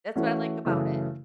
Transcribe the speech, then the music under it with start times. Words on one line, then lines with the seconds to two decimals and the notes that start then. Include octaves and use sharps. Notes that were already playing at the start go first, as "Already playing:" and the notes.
That's what I like about it.
0.15 E3 A3 C#4 F#4
0.65 F#2 C#3 E3 A3